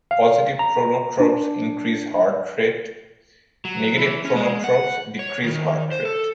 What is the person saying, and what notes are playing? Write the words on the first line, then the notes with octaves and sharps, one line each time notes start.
Positive chronotropes increase heart rate; negative chronotropes decrease heart rate.
F5
A#5
D4
F#3
E3
C#4
G#3
F#5
C#5
D#3
C5
A4